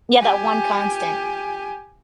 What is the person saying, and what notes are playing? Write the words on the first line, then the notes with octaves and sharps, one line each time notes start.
Yeah, that one constant.
G4 G#5